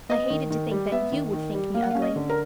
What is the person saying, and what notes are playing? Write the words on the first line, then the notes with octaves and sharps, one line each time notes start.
I hated to think that YOU would think me ugly.
B3 D#5
D#3
D#3
G3
B3 E5
D#3
D#3
G3
A#3 F5
F#5
F5
C#4
D#5
D3
A#4